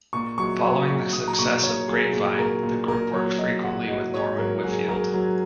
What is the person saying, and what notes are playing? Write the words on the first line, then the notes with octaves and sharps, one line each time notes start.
Following the success of "Grapevine", the group worked frequently with Norman Whitfield.
A#2 C#6
F#3 C#6
F#3 C#6
F#3 C#6
F#3 D#6
A#5
A#2 C#6
A#2 C#5
F#3 G#4
A#2
A#2 A#4
A#2
A#2 A#4
F#3 C#5
F#3 D#5
F#3 F#5
F#3 D#5
G#2 C#5
F#3 A#4
F#3 G#4
F#3 A#4
F#3